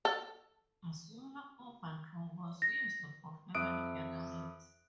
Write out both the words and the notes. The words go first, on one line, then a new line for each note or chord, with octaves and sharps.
A smaller oval room was used for family gatherings.
A4
A#6
F2 E5 D#6 F#6 D7